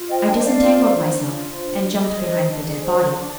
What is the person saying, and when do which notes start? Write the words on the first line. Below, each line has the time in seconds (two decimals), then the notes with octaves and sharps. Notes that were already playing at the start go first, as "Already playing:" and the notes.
I disentangled myself, and jumped behind the dead body.
Already playing: F4
0.10 C5 D#5 G5
0.27 D4 D#5 G5
0.37 D#5
0.44 D4 D5 F5
0.61 F4
0.78 C5
0.95 D4
1.12 D4
1.29 F4
1.46 C5
1.62 D4
1.80 D4
1.96 G#4 D#5
2.13 C5
2.30 D4
2.48 D4
2.64 G#4
2.82 C5
2.99 D4
3.16 D4